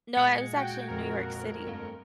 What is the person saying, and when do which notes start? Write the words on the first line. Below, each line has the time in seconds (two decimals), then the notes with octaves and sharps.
No, I was actually in New York City.
0.17 A#2 G#3 F#5
0.55 F#4 G5
0.88 F2 A#4
1.67 G2 A3 A#3